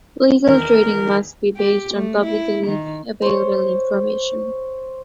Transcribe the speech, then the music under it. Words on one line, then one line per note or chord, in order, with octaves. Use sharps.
Legal trading must be based on publicly available information.
E2 D#3 A#4
G4
A3
E4
D#3
C5 C#5